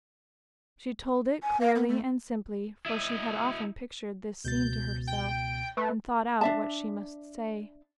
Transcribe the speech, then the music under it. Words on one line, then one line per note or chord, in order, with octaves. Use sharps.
She told it clearly and simply, for she had often pictured this scene to herself and thought out what she must say.
G#5
F5
B3
A3
E4 D#5
C#2 B2 G6 A6
G5
A3 B4
D4 E5 A5